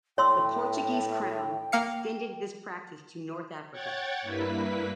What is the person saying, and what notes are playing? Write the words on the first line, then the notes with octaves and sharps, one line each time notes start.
The Portuguese crown extended this practice to North Africa.
A2 C#5 G5 C6 E6
A#3 F5 C#7
C#5 F#5 G5 F#6 G#6 A6
G2 A#3 E4 B4 B6